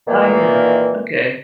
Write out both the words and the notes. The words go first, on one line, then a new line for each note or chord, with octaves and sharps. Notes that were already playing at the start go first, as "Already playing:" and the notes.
Uh, yeah, okay.
A#2 D#3 E3 A#3